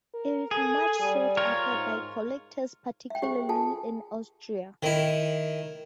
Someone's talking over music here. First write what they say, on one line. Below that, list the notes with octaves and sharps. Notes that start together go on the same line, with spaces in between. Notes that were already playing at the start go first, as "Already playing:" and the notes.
It is much sought after by collectors, particularly in Austria.
A#4
G#4 A4
G3
F4 A#4 C#5
G#2
E5 G5
G4 G#4 C5 G5
F4 G#4 A4 G#5 A5
D#3 E4